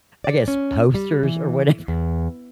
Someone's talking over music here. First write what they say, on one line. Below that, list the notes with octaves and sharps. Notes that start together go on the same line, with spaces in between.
I guess, posters or whatever,
D5
C#4
G3
E3
E2